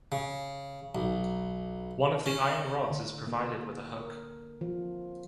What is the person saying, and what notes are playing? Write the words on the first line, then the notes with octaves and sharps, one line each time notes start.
One of the iron rods is provided with a hook.
C#3
B1
C#4
D3
A#3
A#4
F3